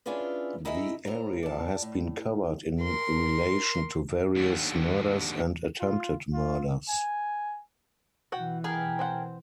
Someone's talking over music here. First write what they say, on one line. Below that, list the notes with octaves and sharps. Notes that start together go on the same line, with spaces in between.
The area has been covered in relation to various murders and attempted murders.
C#4 D4 E4 F4 G#4 B4
D#4 E4 G#4 D#5 E5
A2 C5 A#5
D5 A5
A2
A#4 C6
D#2 D3
F4
F4
G#5
B2 E3 F#4 F#5 G5
B3 G4 G#4 A#4
C4 C5 F#5